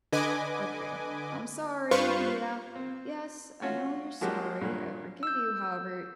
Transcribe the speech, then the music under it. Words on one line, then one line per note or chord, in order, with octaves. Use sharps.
Okay. "I'm sorry, Tia." "Yes, I know you're sorry. I forgive you, however,
D3 B4 D#5 G#5 D6
G2 F4 B4 C5 F5 C#6
C4
C#4 F4 F#4 C#5
F3 F#3 G#3 A#3 F#4 G4
G2 A#2 F#3
E6 G6